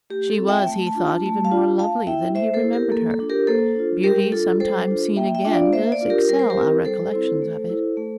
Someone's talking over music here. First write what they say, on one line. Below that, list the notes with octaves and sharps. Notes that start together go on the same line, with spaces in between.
She was, he thought, even more lovely than he remembered her. Beauty sometimes seen again does excel our recollections of it.
A3 G4
A4
C4 F4
E5 G5
A3 A5
A5
D4 F4
A5
A3 A5
F5 A5
D4 F4
A3 F5 A5
E4 E5 G5
A3 C5 E5
A4 C5
E4
G4 A#4
A#3 A4
A4
D4 F4
G4 A#4
A#3 A4 C5
D4 F4
G3 G4 A#4
D4 F4 A4
G3 A4 C5
D4 F4
A#3 E5 G5
E5 G5
D4 F4
D5 F5
A#3 C5 E5
D5 F5
D4 F4
G4 A#4
G3 A#4
C5
G4 A#4
C4 E4
G3 A4 C5
C4 E4
A3
E4
A3